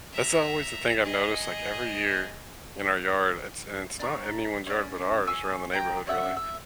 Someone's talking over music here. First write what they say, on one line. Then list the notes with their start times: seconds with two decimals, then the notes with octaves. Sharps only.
That's always the thing I've noticed, like, every year in our yard, it's and it's not anyone's yard, but ours around the neighborhood, really,
0.12 E5 A#5
1.03 G#4 D#5
3.99 D4 A#5 C#6
4.67 C#4 D5
5.27 G#5 C#6 E6
5.73 G5 A#5
6.07 C#4 D4 E5 F#5
6.37 E5